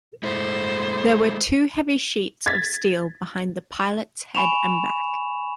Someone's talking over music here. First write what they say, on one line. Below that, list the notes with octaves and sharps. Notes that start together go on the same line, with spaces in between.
There were two heavy sheets of steel behind the pilot's head and back.
G#3 A3 E4 C5
G#6 A6 B6
G#5 B5 C#6 E7 F7